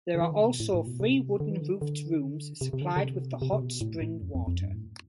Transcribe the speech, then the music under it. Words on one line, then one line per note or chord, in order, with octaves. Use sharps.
There are also three wooden roofed rooms supplied with the hot spring water.
D3
E3
D3
C3
B2
A2
A2
B2
C3
D3
E3
D3
D3
C3
C3
D3
D3
C3
B2
C3
C3
B2
A2
A2
F2
F2
F2
G2
A2